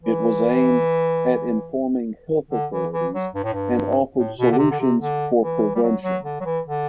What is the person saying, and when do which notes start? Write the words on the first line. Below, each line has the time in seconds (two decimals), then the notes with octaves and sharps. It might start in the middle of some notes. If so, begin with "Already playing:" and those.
It was aimed at informing health authorities and offered solutions for prevention.
0.02 E3
2.51 D3
2.72 E3
2.93 E3
3.13 F#3
3.35 G2
3.44 A2
3.53 G2
4.17 A2
4.38 B2
4.51 D3
4.58 C3
4.71 D3
4.79 C3
5.00 D3
5.41 E3
5.75 G3
5.83 F#3
6.03 F#3
6.24 D3
6.41 F#3
6.45 E3
6.66 D3